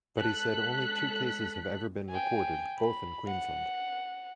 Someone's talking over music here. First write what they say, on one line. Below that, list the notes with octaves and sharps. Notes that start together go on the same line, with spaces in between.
But he said only two cases have ever been recorded, both in Queensland.
G#3 A4 F#6 B6
G5 G#5
B5
F#5